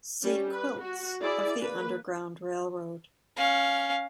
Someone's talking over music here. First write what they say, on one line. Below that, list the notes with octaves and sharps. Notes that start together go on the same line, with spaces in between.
See Quilts of the Underground Railroad.
G3 C#4
B4
F#4
E4 G#4 D5
A#3 B4
C#4 F5